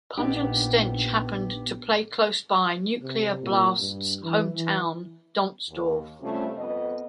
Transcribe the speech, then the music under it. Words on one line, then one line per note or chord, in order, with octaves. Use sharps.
Pungent Stench happened to play close by Nuclear Blast's hometown, Donzdorf.
A#1 B3 D4 D#4 G4
C3
A#2
G2
E3
E3
D#2
C3 F3 G3 A3 C#4
F2 B3 D#5